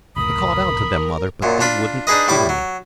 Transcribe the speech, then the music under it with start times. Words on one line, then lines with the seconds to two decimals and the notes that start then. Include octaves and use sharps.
"I called out to them, mother, but they wouldn't hear me."
0.16 F1 C#2 A2 A#4 B5 D#6
1.42 F#2 A#2
1.61 D4 F4 B5
2.07 D4 D#4 G#4 B4 D#5
2.28 A2 G3 E4 D6
2.49 F#3